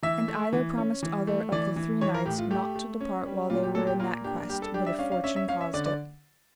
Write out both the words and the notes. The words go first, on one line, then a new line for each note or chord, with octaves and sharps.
And either promised other of the three knights not to depart while they were in that quest, but if fortune caused it.
E3 E5
A3
E3
C#4
E3
A3
E3 D5
E3
E3 C#5
A#4
A2 G4
F4
A3 G4
A3
C#4
G3
A#2 F4
G4
A#2 A4
G4
A#3 F4
D4 G4
G3 G4
A4
D4 G4
E5
C#4 F5
F5
C#4 E5
E5
C#4 F5
E5
D3 D5
D5